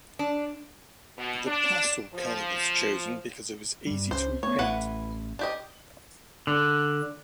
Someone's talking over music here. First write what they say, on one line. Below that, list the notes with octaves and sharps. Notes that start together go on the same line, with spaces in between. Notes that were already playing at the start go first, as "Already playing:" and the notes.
The pastel colour was chosen because it was easy to repaint.
D4
B2
D4
F3
G2 G3
C#2 C#4 C5
A3 B3 C#5
A1 E3 A3 B4 F#5
D4 G4 D#5
D3